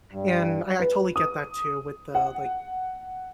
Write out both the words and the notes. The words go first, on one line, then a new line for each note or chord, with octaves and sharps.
and I I totally get that too with the, like,
G2
B4
D#6
F#5